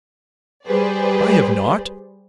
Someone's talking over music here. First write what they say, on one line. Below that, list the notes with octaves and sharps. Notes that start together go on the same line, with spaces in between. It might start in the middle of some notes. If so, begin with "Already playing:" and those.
"I have not."
G3 G4 G#4 B4 C5 D5